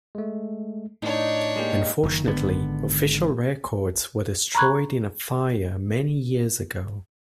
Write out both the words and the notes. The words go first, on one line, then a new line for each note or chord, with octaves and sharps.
Unfortunately, official records were destroyed in a fire many years ago.
G#3 A3
A2 D4 D#4 C#5
G#3 A#3 G4
F#1 D#3
G#1 D3 B3
A#5 B5 C#6 F#6 G#6